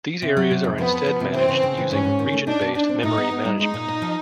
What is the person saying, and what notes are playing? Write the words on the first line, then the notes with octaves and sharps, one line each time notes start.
These areas are instead managed using region-based memory management.
C3
F#3
C3
F2
F3 B3
F3
F3
C3
E3 C4
C#3
C#3
E3
G#2 C#4
G#2
D#3
A3
D4 D#4
B2
D4 D#4
C4
A2 D#4
B3
B3
G3
G#3 D#4
A#2
A#2
F3